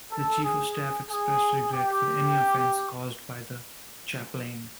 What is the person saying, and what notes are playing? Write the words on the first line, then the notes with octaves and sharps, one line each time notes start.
The Chief of Staff expressed regret for any offence caused by the chaplain.
A4
G#4
G#4
G4